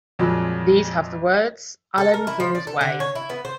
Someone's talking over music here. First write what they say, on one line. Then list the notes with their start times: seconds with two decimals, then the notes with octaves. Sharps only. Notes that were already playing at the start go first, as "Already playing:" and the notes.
These have the words Allan Kings Way.
0.19 F2 A#2 F3 F#3 G#3
1.98 A4
2.14 A#4
2.27 E4
2.40 F3
2.55 D5
2.67 A4
2.81 D3
3.00 C#5
3.15 E4
3.30 B3
3.45 C5